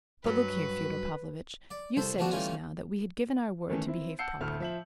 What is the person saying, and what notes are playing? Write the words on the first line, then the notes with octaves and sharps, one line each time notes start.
But, look here, Fyodor Pavlovitch, you said just now that we had given our word to behave properly.
G2 F#3 B4
D5
C2 A4 C5
F3 A3 B3 D4 F#4
E3 G3 A3 C#4 F4
D#3 E3 A3 C#4
C4 E4
F#5 A5 E6 G6 C7 C#7
D2 A2 A3 F6
F3 E5 F#7